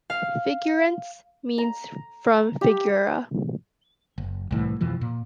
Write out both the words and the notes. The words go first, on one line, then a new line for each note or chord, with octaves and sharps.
Figueirense means "from Figueira".
F5
A#5
G4
F#1
C2 A2 E3
F2 B2 E3 F3
A#2